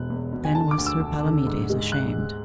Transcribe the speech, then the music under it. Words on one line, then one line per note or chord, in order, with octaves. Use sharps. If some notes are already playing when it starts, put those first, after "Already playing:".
Then was Sir Palomides ashamed.
Already playing: E1 B2 F#6
E2
B2
G#5
D3 A5
D6
D2
E6
D2
D3
G#2
G#3
F#6